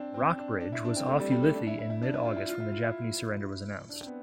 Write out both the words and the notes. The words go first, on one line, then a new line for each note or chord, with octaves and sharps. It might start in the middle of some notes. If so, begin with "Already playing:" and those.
"Rockbridge" was off Ulithi in mid-August when the Japanese surrender was announced.
Already playing: C4 D4
C4
D4
D4
E4
D4
C4
A3
G3
G3
A3
D4
E4
E4
E4
D4
E4
F4
E4
F4
E4
F4
E4
D4
C4
B3